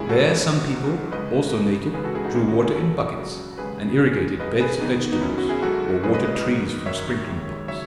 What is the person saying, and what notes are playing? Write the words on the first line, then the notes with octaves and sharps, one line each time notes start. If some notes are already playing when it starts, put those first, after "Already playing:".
There some people, also naked, drew water in buckets, and irrigated beds of vegetables, or watered trees from sprinkling-pots.
Already playing: D#2 C#3 G#3 E4 G#4
F#4 A4
A2 F#3
G#2 F#3
C#2 C#3 G#3 B4 D#5
C#2 C#3 G#3
C#2 C#3 E3 G#3 G#4 B4
F#4 A4
E4 G#4
D#4 F#4
E2 D#3 G#3 C#4 E4
D#4 F#4
E4 G#4
F#2 C#3 F#3 F#4 A4
C#2 C#3 F#3
D#2 C#3 G#3 G#4 B4
G#2 F#3
C#2 C#3 F#3 B4 D#5
G#4 B4
D#2 D#3 F#3 B3 D#4
B3
B3 D#4
F#2 D#3 F#3 C#4 E4
F#4
E4 G#4
G#2 F#3 F#4 A4
F#2 C#3 G#3 G#4 B4
B4 D#5
B4 D#5
B4 D#5
G#2 D#3 F#3
F#2 D#3 F#3 C#5 E5
D#2 D#3 G#3
C#3 F#3 C#5 E5